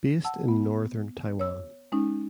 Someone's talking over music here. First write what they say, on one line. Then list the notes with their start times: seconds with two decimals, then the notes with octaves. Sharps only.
Based in Northern Taiwan.
0.25 F#5 A5 E6
0.48 B3
1.39 C#5 E6
1.92 G#3 C#4 D#4